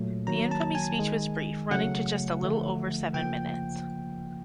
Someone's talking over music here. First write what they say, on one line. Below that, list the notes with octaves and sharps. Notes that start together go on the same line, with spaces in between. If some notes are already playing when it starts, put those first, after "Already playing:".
The Infamy Speech was brief, running to just a little over seven minutes.
Already playing: A#2 F#3 A3
D#3 F#3 A#3 A#5
A5
G#5
D#3 G#3
C#3 F#3 A3 F#5
D3 F3 A3
C#3 F3 A#3 G5